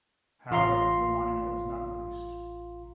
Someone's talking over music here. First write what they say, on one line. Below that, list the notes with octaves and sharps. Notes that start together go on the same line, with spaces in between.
However, the monument was not greased.
A1 F4 F5 A#5 C6 C7